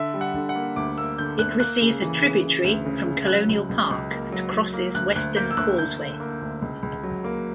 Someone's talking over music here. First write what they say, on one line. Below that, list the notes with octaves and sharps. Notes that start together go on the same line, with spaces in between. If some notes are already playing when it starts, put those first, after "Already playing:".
It receives a tributary from Colonial Park and crosses Weston Causeway.
Already playing: D3 E5
G3
F#5
D3
F#5
A#3
D2 D6
A#3 E6
D3 G6
D2 F#6
A#3 F#6
C#3
E3
C#3
C#3
D2
C#3
C#3
F#3 F#6
C#2
C#2
C#2
A#3
F#3
F#3
A#3
D2 F#6
D2 F#6
A#3 G6
E6
D2 F#6
D2 G6
D3
A#3
D2
C#2
C#2
F#3
A#3